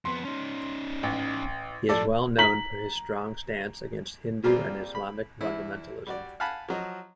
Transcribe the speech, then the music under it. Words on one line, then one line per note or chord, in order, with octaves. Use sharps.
He is well known for his strong stance against Hindu and Islamic fundamentalism.
F2 B3 C6
C#4 D#4
A1
A2 F3 A4 D5
A#5 B6 F#7
G3 A#3 C4 F4 G#4
B5
E2 E4
G3 F#4 D5
F5 F#5 G#5 A5 B5 F#6
F3 F#3 D#5